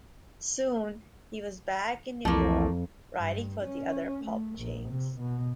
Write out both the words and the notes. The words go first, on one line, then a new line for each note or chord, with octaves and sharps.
Soon, he was back in New York, writing for the other pulp chains.
C2 F2 E3 A3 A#3
G2
C#4
A3
A#1
C3
B2